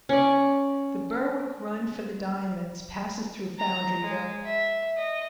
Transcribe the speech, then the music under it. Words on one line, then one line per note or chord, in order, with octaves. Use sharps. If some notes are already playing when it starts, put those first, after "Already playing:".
The Berwick Run for the Diamonds passes through Foundryville.
C#4 D5
A#5
G#3
E5
D#5